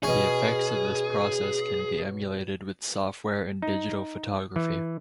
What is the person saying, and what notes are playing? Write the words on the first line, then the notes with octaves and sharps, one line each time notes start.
The effects of this process can be emulated with software in digital photography.
B2 C#4 G#4
D#4
E3